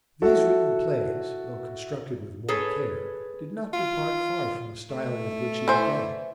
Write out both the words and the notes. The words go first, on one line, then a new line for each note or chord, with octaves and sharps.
These written plays, though constructed with more care, did not depart far from the style with which he began.
E4 F#4 A4
G#4 A4 B4 C#5
F4
A3
E3 C5